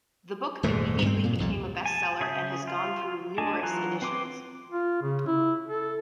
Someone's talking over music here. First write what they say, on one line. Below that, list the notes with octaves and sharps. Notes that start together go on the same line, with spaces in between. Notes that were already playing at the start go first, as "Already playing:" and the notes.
The book immediately became a best seller and has gone through numerous editions.
D#1 F2 G#2 A3
G2 C4
A#2
C2 F2 A#2
G#5 A5
C#3 G#4 E5 D#6 G6
F4
D4 G#4 D#5 G#5 A5
E3 F#3 F4 A#5 F#6
C4 B4 C6 D6
F4
C#3
E4
A4